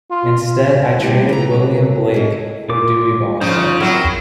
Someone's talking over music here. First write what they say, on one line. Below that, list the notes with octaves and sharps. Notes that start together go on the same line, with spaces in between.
Instead I traded William Blake for Dewey Balfa.
F4
G3 A3 A#3 E4 G4
E4 F4 A4 B4 A#5
F#4 A#4 C#5
C#3 E4 D#5
F4 D6
C#3 F3 D#4 F4 C5
F#3 C4 E4 A#4 G5